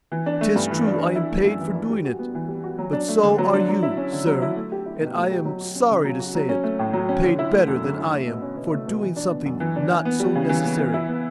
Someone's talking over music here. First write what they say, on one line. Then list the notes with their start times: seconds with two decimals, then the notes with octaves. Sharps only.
'Tis true I am paid for doing it; but so are you, Sir: and I am sorry to say it, paid better than I am, for doing something not so necessary.
0.12 E3
0.26 D4
0.41 A3
0.56 G2
0.71 E3
0.86 D4
1.00 E3
1.15 E4
1.31 A3
1.45 F#2
1.61 E3
1.75 E4
1.90 G3
2.05 F#4
2.19 B3
2.35 E3
2.48 G3
2.64 F#4
2.79 F#3
2.93 D4
3.08 A3
3.23 D3
3.38 F#3
3.53 D4
3.68 F#3
3.83 E4
3.97 C#4
4.13 D3
4.27 F#3
4.42 E4
4.56 A3
4.72 G4
4.86 E4
5.01 B2
5.15 A3
5.31 G4
5.45 F#3
5.61 F#4
5.75 C#4
5.91 C#3
6.04 F#3
6.20 F#4
6.35 F#3
6.49 C#4
6.64 A3
6.79 A2
6.93 F#3
7.09 C#4
7.24 D3
7.39 E4
7.53 A3
7.68 F#2
7.83 D3
7.98 E4
8.13 A3
8.27 B2
8.42 C#4
8.56 B2
8.72 A3
8.87 B2
9.02 E3
9.16 D4
9.31 B3
9.46 F#2
9.60 E3
9.76 D4
9.90 E3
10.05 B3
10.20 G3
10.36 C#3
10.49 E3
10.65 B3
10.79 E3
10.94 E4
11.09 B3